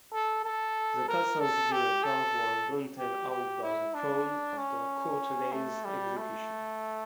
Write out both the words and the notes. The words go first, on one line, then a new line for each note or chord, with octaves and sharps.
The castle's deer park was rented out by the Crown after Courtenay's execution.
A4
A4
A#4
A4
G4
A4
G4
G4
E4
D4
C#4
A3
G3
A3